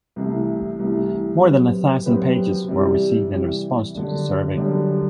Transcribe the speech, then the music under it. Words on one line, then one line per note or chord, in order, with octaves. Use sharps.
More than a thousand pages were received in response to the survey.
C2 C3 E3 A3
C2 C3 E3 A3
F#2 F#3 C4 G4 B4
F#2 F#3 C4 G4 B4
C3 E3 G3
C3 E3 G3
F#2 D3 G3 D4
F#2 D3 G3 D4